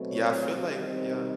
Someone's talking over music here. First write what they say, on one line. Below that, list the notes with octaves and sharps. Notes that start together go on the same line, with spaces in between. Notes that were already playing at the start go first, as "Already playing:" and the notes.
Yeah, I feel like yeah.
Already playing: B2 F#3 A3 C4
C#5
D#3 G3 C4